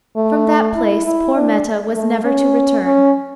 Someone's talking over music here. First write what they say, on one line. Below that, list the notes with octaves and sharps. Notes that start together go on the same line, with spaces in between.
From that place poor Meta was never to return.
A3
E4
E4
D4
A3
C#4
C#4